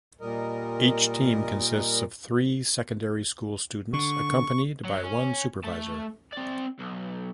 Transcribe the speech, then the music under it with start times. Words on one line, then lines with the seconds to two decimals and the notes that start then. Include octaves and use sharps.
Each team consisted of three secondary school students accompanied by one supervisor.
0.21 A#2 G3 A#4 D#5
3.93 D3 C#6
4.85 F#3
5.04 C#4
5.64 A3 A5
6.33 C4 D5
6.79 B1